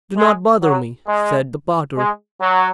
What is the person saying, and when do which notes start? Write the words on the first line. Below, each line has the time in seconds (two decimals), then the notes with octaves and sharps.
"Do not bother me," said the potter.
0.17 G#3
0.62 F#3
1.07 G#3
1.96 G#3
2.41 F#3